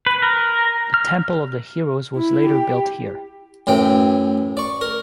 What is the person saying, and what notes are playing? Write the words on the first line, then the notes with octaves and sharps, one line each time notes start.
The Temple of the Heroes was later built here.
B4
A#4
F6
E4
G4
F#2 A2 E3 G5
D5 C#6
A#4